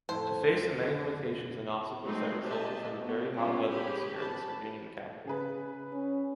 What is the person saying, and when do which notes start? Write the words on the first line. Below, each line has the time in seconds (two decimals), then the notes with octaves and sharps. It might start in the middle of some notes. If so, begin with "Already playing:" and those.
To face the many limitations and obstacles that resulted from the very hot weather this year in the Sardinian capital.
0.09 F2 A2 C5 A5
2.03 F#3 G#3 A3 C4 D#4 G#4
2.42 D4 G4 D#5 E5 G#5 A5
2.99 A3 B3 F#4
3.35 F#3 G#3 B3 C#4 E4 F4
3.69 C#4 G4 G#4 B5
4.17 A5 B5
5.25 C#3 G#4 B4
5.93 C#4